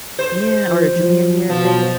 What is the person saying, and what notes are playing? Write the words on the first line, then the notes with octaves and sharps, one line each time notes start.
yeah, or a junior year thing.
C5
F3
F3
B2 F3